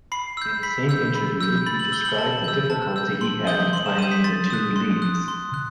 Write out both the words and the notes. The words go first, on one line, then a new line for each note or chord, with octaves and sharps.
In the same interview, he described the difficulty he had finding the two leads.
B5 C7
E6 G6
B5 B6
E6 G6
B5
E6 G6
B5 A6
F#7
E6 G6 G7
F#7
A5
E6 G6
A5
E6 G6
C6 F#7
D#6 G6 G7
C6 F#7
E7
D#6 G6 D#7
B6
C6 A6
D#6 F#6
C6
D#6 F#6
C6
F#6